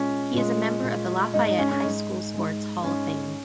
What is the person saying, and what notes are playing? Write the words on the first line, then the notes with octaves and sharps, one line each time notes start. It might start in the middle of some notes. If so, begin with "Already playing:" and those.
He is a member of the Lafayette High School Sports Hall of fame.
Already playing: A#2 G#3 C#4
A#2 G#3
A#2 G#3
G#2 G#3 D#4
D#4
C#4
C#4
G#2 G#3 D#4
G#2 G#3
G#2 G#3 C#4